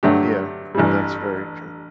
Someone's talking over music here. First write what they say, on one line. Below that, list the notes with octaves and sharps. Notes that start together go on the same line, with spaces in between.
Yeah, that's very true.
G2 D3 F#3 A3 G4
A1 G2 E3 G3